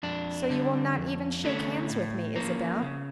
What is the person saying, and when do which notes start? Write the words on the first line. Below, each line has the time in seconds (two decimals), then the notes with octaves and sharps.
"So you will not even shake hands with me, Isabel?"
0.03 F2 D4
0.50 D3 G3
0.96 F2
1.43 D3 A3 C#4
1.89 A2
2.36 F3 A#3 C#4
2.82 C#3